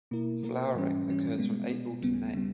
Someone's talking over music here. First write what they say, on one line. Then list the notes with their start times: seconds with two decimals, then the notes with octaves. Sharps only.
Flowering occurs from April to May.
0.11 B2 A#3 E4 A#4
0.43 B2 A#3 E4 A#4
0.75 G#2 E3 G3 C#4
1.06 G#2 E3 G3 C#4
1.38 B2 G#3 B3
1.70 B2 G#3 B3
2.02 D#2 C#3 G3 B3
2.34 C#3 G3 B3